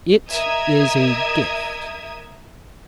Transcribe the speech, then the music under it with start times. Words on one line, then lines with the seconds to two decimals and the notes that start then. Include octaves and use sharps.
It is a gift....
0.29 A#4 D#5 E5 D#6 E6 G#6